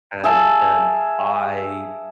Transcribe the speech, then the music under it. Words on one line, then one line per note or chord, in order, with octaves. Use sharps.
and and I
G#4 E5 F5 A5